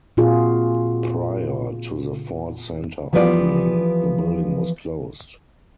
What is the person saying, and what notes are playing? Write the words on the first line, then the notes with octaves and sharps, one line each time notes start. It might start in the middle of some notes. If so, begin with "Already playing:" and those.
Prior to the Ford center opening, the building was closed.
A#2 C4 F4 F#4 G#4
E3 F3 G3 B3 F4 D5